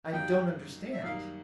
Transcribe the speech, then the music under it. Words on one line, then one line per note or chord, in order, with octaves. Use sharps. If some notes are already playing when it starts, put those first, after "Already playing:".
"I don't understand."
F#2 D#3 G3 A#3 D#4 G5
E5
F#2 D#3 G3 A#3 D#4 F5